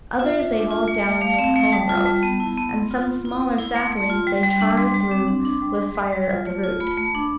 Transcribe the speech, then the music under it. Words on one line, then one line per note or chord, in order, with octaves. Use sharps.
Others they hauled down with Cullum ropes, and some smaller saplings they charred through with fire at the root.
F4 E5
F4
D4
F4
A3
A3
A3 F5
C4
A3
G3 A5
F4
G3
B3
E4
B3
B3 C6
F4
F4
E4
B3
E4
A3 C6
A3
F4
G3
G3
D4
G3 C6
G3
D6
C4
D4 C6
D4
G3
G3
G3
G3
F4
A3
F4
A3 B5
A3
D4